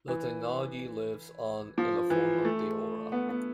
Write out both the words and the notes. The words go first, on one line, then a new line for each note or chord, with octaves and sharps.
The technology lives on in the form of Theora.
E3
F3
E3
A3
B3
B3